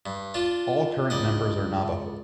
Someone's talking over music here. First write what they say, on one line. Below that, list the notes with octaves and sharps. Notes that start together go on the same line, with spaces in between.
All current members are Navajo.
G2
D4 F4
C#2 D5 D#5